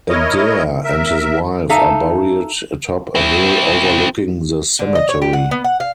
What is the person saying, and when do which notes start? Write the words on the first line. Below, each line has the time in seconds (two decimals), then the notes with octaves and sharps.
Adair and his wife are buried atop a hill overlooking the cemetery.
0.09 E4 A#4 C#5 D#5
0.84 A#4 E5
1.69 D#4 A4 E5 F5
3.15 C4 E4
4.79 D3
4.95 D#5
5.09 C#5
5.22 G4
5.33 F#5
5.51 B3
5.64 F#5
5.80 F5